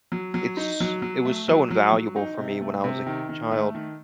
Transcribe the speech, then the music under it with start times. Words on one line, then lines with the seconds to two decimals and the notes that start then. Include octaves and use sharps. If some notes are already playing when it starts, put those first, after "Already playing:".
it's it was so invaluable for me when I was a child.
0.12 F#3
0.34 F#3
0.57 D#4
0.80 F#3
1.02 F#3
1.25 A3
1.48 F#3
1.71 F#3
1.93 F#3
2.16 D#4
2.38 C3
2.61 A3
2.84 C3
3.07 D#3
3.29 D#3
3.51 A3
3.75 D#3